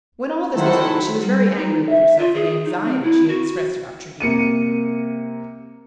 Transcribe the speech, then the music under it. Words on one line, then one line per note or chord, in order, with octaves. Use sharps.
When all this was over she was very angry with herself for the anxiety she had expressed about Tregear.
D#3 F#3 E4 A4 C5 F#5
G3
D#4
E5
F4
G#4
D#4
C4
E4
F#4
C3 A#3 C#7 D#7